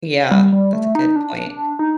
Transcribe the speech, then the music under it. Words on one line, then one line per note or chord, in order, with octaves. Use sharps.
Yeah, that's a good point.
G3
G3
A3
D#4
D4
D#4